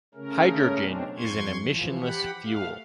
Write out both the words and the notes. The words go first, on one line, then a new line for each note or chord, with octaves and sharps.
Hydrogen is an emissionless fuel.
C#3 A3 C#4 A#4
B2 F#3 C4 D4
F2 C6 C#6 G#6
E3 F3
G4 F#5 B5
A3 F5